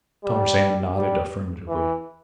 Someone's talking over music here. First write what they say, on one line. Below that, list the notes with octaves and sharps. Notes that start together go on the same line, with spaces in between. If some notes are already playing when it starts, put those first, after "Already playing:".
Tarzan nodded affirmatively.
G3
G3
E3